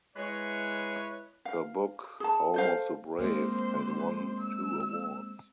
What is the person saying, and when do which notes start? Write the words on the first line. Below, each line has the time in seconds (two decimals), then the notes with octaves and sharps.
Her book "Home of the Brave" has won two awards.
0.17 G#3 E4 B4 C#5
1.45 F5
2.20 G#4 A5
2.54 A4 C5 F5
3.19 G#3 A#3 C4 C5
4.41 E6